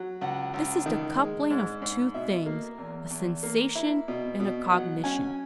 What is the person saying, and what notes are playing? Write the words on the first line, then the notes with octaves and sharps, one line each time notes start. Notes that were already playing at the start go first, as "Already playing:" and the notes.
This is the coupling of two things--a sensation and a cognition.
Already playing: F#3
C#2 F#5
C#2
D#3
G#3
G#2
G#2
B2 E5
A#3
E2
E2
A#3
E4
B2
B2
F#3 F#5
C#4 G#5